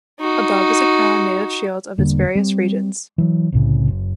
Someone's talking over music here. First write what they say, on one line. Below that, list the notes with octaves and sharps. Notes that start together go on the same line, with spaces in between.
Above is a crown made of shields of its various regions.
D#4 F#4
E1 D3 G3 A#3
G3 C4
E3 F#3
C2 A2 C#3
F#1